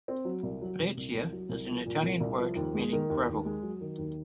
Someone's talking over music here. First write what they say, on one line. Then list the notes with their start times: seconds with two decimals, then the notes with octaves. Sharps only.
Breccia is an Italian word meaning "gravel".
0.08 C4
0.25 F#3
0.43 C2
0.61 F#3
0.79 C3
0.97 C2
1.14 C2
1.32 F#3
1.49 C2
1.67 F3
1.86 A#2
2.03 C2
2.20 C2
2.39 F3
2.56 D#2
2.74 G#3
2.92 D#3
3.10 D#2
3.28 D#2
3.45 G#3
3.63 F#3
3.81 D#3
3.98 D#2